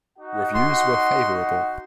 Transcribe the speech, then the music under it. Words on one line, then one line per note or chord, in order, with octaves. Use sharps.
Reviews were favourable.
D#4 F#4 F#5
C6